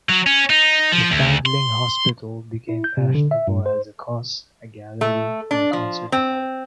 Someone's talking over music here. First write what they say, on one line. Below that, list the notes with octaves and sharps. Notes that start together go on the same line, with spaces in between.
The Foundling Hospital became fashionable as a cause, a gallery and a concert hall.
F#3
C#4
D#4
F3
D2
C6
E4
G6
C3
D3
E5
G2
C5
A3
D4
F3
C4